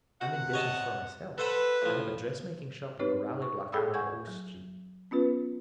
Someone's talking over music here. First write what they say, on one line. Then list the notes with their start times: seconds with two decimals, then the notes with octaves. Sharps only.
I'm in business for myself. I have a dressmaking shop in the Raleigh Block, out on O Street.
0.21 C3 F#4 F#5
0.54 C#5 D#5 A5
1.38 A4 B4 C5 F#5
1.82 A2 F3
2.99 C4 D#4 G4 B4 C#5
3.42 C#6
3.72 G#4 A4 G5 B5 D#6 E6
3.94 F#5 G#5 C#6 G6 G#6
4.27 F#3
5.11 B3 C#4 F4 B4